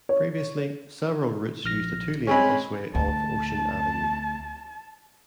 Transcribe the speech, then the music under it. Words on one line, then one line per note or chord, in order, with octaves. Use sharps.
Previously, several routes used a two-lane busway off Ocean Avenue.
C#5
A#1 F6 A#6
G#3 C4 C#4 G#4 C#5 B5
D2 A5